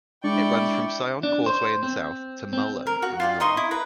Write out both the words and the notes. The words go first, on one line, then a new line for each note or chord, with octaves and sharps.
It runs from Sion Causeway in the south to Mulund in the North.
G#3 D4 E4 D5 G5 C#6
D4
C5
C4
C4
A#4
F#4
F4 D5 G5
D#4 D#5 C6 C#6
E4
B4 A#5